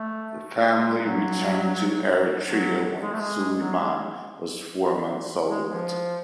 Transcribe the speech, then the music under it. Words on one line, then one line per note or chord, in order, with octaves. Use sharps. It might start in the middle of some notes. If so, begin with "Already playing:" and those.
The family returned to Eritrea when Sulieman was four months old.
Already playing: A3
G#3
F#3
F#3
G#3
A3
G#3
F#3
G#3
G#3
F3